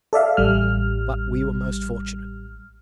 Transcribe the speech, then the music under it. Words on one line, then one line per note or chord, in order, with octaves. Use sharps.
But we were most fortunate.
A4 D5 E5 F5
A1 G3 F6